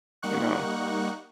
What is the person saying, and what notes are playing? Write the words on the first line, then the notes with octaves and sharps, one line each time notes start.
you know.
G3 A#3 D#4 F#5 C#6 F#6